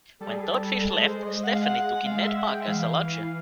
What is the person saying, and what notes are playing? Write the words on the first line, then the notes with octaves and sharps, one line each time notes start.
When Toadfish left, Stephanie took in Ned Parker as a lodger.
G3 A4
G#4
A4
G#3 A4
C5
D#5
F#5
F5
F#5
G#3 F5
E5
F#5
G5
E5
E3 F5